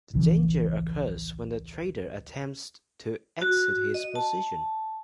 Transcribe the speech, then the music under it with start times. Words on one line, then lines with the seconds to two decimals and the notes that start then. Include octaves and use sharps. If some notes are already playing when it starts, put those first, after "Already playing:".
The danger occurs when the trader attempts to exit his position.
0.13 D1 A#1 C#3 E3
3.42 F#4
3.94 D#5
4.16 A5